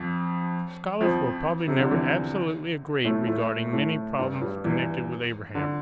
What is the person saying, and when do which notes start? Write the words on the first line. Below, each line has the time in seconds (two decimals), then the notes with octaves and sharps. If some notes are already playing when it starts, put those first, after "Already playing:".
Scholars will probably never absolutely agree regarding many problems connected with Abraham.
Already playing: F2 F3
1.01 F2 F3
1.68 C3
1.79 D3
1.91 E2 E3
3.04 A2 A3
3.27 A2 A3
3.73 A2 A3
4.19 G2 G3
4.41 G2 G3
4.64 E2 E3
5.55 D3